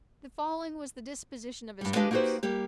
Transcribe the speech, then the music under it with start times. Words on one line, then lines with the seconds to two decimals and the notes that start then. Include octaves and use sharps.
The following was the disposition of his troops.
1.81 G2 G3
1.95 G#3 D4 G4 B4 D#5 F5
2.11 A#3 D#4 F#4 G4 B4 C5
2.43 G3 A#3 G4